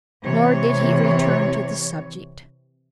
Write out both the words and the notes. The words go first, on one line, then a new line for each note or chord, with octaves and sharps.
Nor did he return to the subject.
C3 E3 C#5